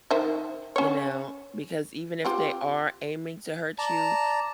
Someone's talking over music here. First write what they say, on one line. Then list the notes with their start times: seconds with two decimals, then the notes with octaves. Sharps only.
you know, because even if they are aiming to hurt you,
0.11 D#3 C5 E5
0.76 C#4 C#5
2.25 C4 F4 G4
3.78 D5 A5 A#5